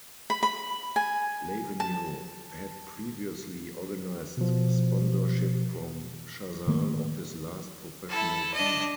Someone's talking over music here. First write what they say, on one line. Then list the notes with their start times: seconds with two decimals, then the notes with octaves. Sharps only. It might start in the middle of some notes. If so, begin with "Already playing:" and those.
Lavenu had previously organised sponsorship from Chazal of his last professional team.
0.30 B5
0.43 B5
0.96 G#5
1.80 A5
4.37 B2 F3
6.67 A2 D#3 A3 A#3
8.09 E4 A4
8.54 D4 D#5